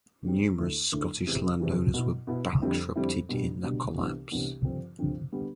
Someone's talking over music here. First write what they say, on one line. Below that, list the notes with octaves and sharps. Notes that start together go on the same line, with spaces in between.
Numerous Scottish land owners were bankrupted in the collapse.
D3 G3 C4
D2 D3 A3 E4
D2 D3 A3 E4
E2 C3 E3
E2 C3 E3
B2 B3 E4
B2 B3 E4
F2 D3 G3 C4 E4
F2 D3 G3 C4 E4
B2 G3 D4
B2 G3 D4
C2 C3 E3 B3 D4
C2 C3 E3 B3 D4
G2 D3 F3 C4
G2 D3 F3 C4
D3 G3 B3